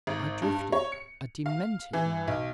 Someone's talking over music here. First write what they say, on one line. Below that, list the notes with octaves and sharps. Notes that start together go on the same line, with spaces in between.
I drifted--a demented man.
G#1
G2
C#5
C#7
F5
E3
B1